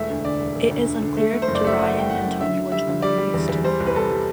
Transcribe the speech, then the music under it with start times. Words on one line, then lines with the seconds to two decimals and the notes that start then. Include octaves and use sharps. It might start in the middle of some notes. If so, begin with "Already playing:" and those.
It is unclear if DuRyan and Tony will join them in Houston.
Already playing: E1 A3 E5
0.10 D2
0.25 D3 D5
0.40 E1
0.55 E1
0.71 D2
0.86 D3
1.02 D3
1.17 A3
1.33 A3
1.42 C5
1.48 F#1
1.55 D5
1.64 A3 E5
1.79 A3 F#5
1.95 A3 G5
2.10 F#1 F#5
2.26 F#2
2.41 D3 E5
2.57 D3
2.72 G3 E5
2.87 D3
3.02 G3 D5
3.18 G3
3.34 E2
3.49 E2
3.64 G3 C5
3.80 C2
3.87 B4
3.95 C2 A4
4.11 G3